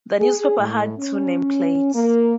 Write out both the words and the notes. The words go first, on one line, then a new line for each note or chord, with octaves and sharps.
The newspaper had two nameplates.
G#4
A2
C#4
A#3